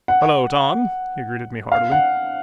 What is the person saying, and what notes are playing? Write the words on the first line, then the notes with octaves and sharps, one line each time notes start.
"Hello, Tom," he greeted me heartily.
F#5
F5
F#5